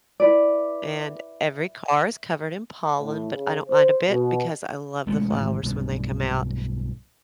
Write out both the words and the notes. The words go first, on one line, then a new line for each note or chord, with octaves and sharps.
and every car is covered in pollen, but I don't mind a bit because I love the flowers when they come out.
E4 B4 D5
A2
C#3
C5
B2
E1 G#3 A3 C#4
A1 G#2 D#3
B1 G2